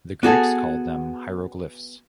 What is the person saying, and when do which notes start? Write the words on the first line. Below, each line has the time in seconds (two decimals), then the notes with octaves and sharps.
The Greeks called them hieroglyphs.
0.23 B3 F#4 G#4 A4